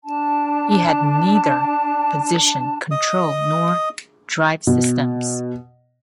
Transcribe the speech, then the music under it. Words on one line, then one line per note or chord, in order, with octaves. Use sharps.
It had neither position control nor drive systems.
D4 A5
D#5 D#6
B2